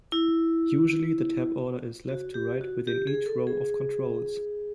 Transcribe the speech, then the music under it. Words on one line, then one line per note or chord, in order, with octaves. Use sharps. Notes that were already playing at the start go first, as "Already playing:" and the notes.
Usually the tab order is left to right within each row of controls.
E4
F#4
G4
F#4
G4
G#4
A4
G#4